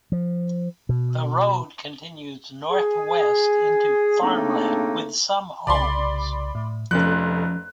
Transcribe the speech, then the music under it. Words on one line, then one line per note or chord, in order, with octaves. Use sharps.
The road continues northwest into farmland with some homes.
F3
B2
G#4
C#3 A3 A#3 C4 D4 D#4
C2 C#3 D5 B5 C6
A2
F1 F2 F3 C#4 F#6